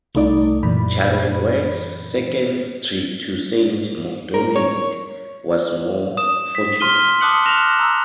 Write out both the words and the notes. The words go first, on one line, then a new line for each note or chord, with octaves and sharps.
Charlevoix's second trip to Saint-Domingue was more fortunate.
C2 A3 D#4 D5
F#2 A#2 E3 B5
A#4
C#5
D#6 E7
B6
C6 F6 D#7 G7
A5 D6 D#6 F#6 C#7 F#7
F6 F#6 A#6 C#7 E7 F7
A#5 E6